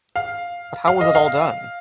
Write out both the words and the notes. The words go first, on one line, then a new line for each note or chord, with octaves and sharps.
But how was it all done?
F5
F5
D#5
F5